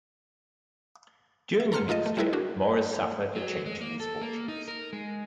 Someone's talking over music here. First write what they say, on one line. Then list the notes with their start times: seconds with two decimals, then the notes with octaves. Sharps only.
During the next year Maurice suffered a change in his fortunes.
1.60 E5
1.72 A4 A#5 C6 F6 C#7
1.88 A3 D#4 F4 A4 D#5
2.06 A3
2.17 G3 A3 E4 G#4 A#4 B4
2.33 D4 F#4
3.35 F#3
3.66 G#3
3.81 A#3
4.00 A4
4.22 A#3
4.48 D#4
4.68 A#4
4.93 G#3